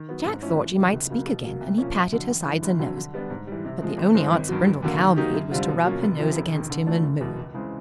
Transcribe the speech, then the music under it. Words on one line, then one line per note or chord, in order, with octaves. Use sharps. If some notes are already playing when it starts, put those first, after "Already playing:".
Jack thought she might speak again and he patted her sides and nose, but the only answer Brindle Cow made was to rub her nose against him and moo.
Already playing: D#3
F#3 B3
G#2
F3 A3 C#4 E4
E2
C3 D#3 F#3
C#2
C#3 F#3 A#3
B2
F#3 A#3
C2
A#2 F3 A#3 C#4
F#2
D3 F#3
A1
G2 E3
G1
F2 D3 F#3
D3
G3 B3 D4
G#2
E3 G3
C3
F3 G#3
G#1
G2 E3 G#3 C4
G#1
G2 D#3 F#3
F1
D#2 D3 F#3 A#3
D#3
F#3 A#3 D#4 G4
F#2
D3 G3 C4 F4
B2
F#3 A#3 C#4 F4
F1
F2 C3 F3
E1
D#2 D#3
D3
F3 A3 D4
F#1
E2 B2
C#2
C#3 E3 G#3 C4